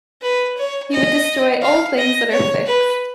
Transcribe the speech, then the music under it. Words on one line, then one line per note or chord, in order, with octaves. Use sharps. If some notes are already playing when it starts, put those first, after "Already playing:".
He would destroy all things that are fixed.
B4
C#5
D#5
F5
D#5
C#5
B4